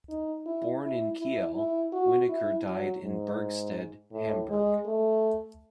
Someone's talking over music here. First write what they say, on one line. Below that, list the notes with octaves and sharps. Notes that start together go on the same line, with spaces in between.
Born in Kiel, Wenneker died in Bergstedt, Hamburg.
D#4
E4
E4
E4
E4
F#4
E4
F#3
G#2
A2
G#3
A3